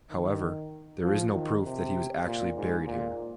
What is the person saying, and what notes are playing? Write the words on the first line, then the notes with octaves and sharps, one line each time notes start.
However, there is no proof that he was actually buried here.
D#3
F3
D#3
C3
A#2
G#2
A#2